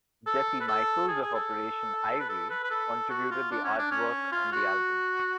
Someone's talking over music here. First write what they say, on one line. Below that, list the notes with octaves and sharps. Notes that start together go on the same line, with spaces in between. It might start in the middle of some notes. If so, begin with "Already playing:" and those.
Jesse Michaels of Operation Ivy contributed the artwork on the album.
A4
B4
A4
G#4
G#4
A4
B4
A4
B4
B4
A4
F#4
F4
D4
C#4
D4
C#4
F4
F#4